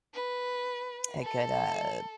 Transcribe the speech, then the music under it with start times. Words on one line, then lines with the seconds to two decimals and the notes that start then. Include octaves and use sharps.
a good, uh,
0.14 B4
1.22 A4